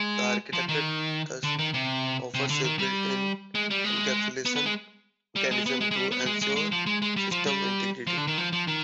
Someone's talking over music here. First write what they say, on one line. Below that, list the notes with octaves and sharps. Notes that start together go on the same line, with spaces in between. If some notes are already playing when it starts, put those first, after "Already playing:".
The architecture thus offers a built-in encapsulation mechanism to ensure system integrity.
Already playing: G#3
F3
D#3
D3
D#3
C3
C3
D3
D#3
G3
G#3
G3
G#3
B3
B3
G#3
G3
G#3
B3
G#3
G#3
G3
B3
G#3
G#3
G#3
F3
G#3
G#3
G3
F3
G3
F3
D3
D#3
F3
F3
D#3